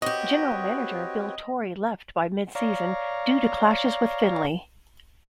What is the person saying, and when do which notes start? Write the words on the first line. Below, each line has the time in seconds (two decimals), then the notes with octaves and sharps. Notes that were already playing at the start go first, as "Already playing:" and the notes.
General manager Bill Torrey left by mid-season due to clashes with Finley.
0.02 C4 F#4 G4 B4 C#5 D#5
2.55 C#5 D5 F5 A#5